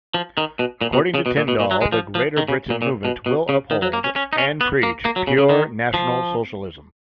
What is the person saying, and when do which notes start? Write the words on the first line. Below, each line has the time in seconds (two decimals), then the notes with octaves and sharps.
According to Tyndall, "the Greater Britain Movement will uphold, and preach, pure National Socialism".
0.14 F3
0.37 D#3
0.59 B2
0.81 A#2
0.93 B2
1.14 C#3
1.26 B2
1.37 A#2
1.48 B2
1.60 A#2
1.71 F#3
1.81 G#3
1.92 F3
2.15 F3
2.37 D#3
2.48 C#3
2.70 A#2
2.82 A#2
3.05 B2
3.26 B2
3.49 C#3
3.71 D#3
3.82 F#3
3.93 A#3
4.04 C#4
4.16 C#4
4.33 D#4
4.38 C#4
4.61 B3
4.83 A#3
5.05 A#3
5.16 F#3
5.27 C#3
5.38 C#3
5.49 D#3
5.94 F3